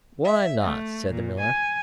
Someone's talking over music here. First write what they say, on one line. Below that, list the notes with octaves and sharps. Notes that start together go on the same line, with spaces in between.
'Why not?' said the Miller.
E5
A3
A#2
G#5